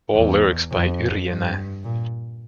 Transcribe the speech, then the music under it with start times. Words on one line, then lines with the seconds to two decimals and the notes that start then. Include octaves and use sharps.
All lyrics by Yrjänä.
0.13 E2
0.70 F2
1.27 G2
1.84 A#2